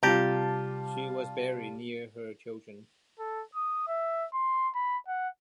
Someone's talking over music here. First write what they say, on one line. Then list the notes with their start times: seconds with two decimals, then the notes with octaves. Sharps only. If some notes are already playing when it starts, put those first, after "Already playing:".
She was buried near her children.
0.03 C3 G3 F4 G4 A5 A#5
3.19 A4
3.55 D#6
3.87 E5
4.34 C6
4.75 B5
5.08 F#5